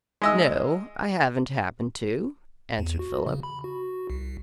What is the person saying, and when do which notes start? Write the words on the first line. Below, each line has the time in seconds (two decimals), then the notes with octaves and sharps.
"No, I haven't happened to," answered Philip.
0.22 G#3 D#5 E6
2.78 E2
2.99 F#4
3.27 C#3
3.43 B5
3.64 F#4
4.10 C2